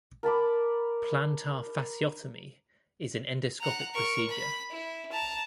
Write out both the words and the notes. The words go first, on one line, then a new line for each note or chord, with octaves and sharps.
Plantar fasciotomy is an endoscopic procedure.
A#4 A5 B5 D6
F#5 A#5
A#4 C#6
B5
E4
A5 A#5